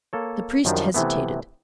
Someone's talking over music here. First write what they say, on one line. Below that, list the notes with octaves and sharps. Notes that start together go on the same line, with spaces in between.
The priest hesitated.
A#3 A4 C#5
F#2 D#3 F3 G3 D4
C3 E3 A3 B3